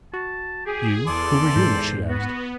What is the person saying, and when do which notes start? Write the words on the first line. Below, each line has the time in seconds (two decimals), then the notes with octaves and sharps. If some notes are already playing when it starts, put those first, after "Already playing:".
'You--who are you?' she asked.
0.13 F#4 A5
0.66 G4 G#4
1.07 E2 A4 D5 C6 D6
1.56 G#2 C5
2.09 B3 F#4